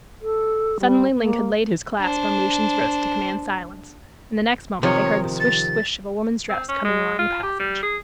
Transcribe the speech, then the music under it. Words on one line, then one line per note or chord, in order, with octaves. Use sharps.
Suddenly Link had laid his clasp on Lucian's wrist to command silence, and the next moment they heard the swish-swish of a woman's dress coming along the passage.
A4
G3
A#3
D4 C5
C3 D#3 F3 C#5
A6
C4
C#4
G#3
F4
G4
G3
G#4